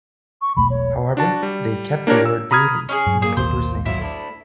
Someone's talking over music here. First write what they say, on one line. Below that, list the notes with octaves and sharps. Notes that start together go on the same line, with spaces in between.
However, they kept the word "Daily" in the paper's name.
C#6
E1 B1 A3 B5
C#5
D4 F#4 A5
G3
A#3 D4 G4 A#4 C#5
E6
A#5 B5 D#6 F6 G#6
C#4 E4 G#4
G2 F#3
A#2 A#3 G#4
A#1 D#2 A2 C5
D2 F#3 E4 F4
A3 D4